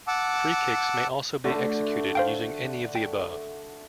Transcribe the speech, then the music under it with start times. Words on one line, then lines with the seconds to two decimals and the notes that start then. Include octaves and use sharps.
Freekicks may also be executed using any of the above.
0.08 F#5 A5 D6 E6
1.44 D3 A3 F#4
2.15 C5 F5 G5
2.95 G5